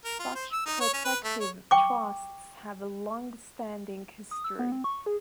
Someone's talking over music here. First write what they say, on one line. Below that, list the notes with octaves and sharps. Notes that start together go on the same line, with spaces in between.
Such protective trusts have a longstanding history.
A#4
F4
C5
E6
D#4
C#5
C#4
B4
A3
C#5
G5 C#6 D6
D#6
E6
B3
C4
C#6
G#4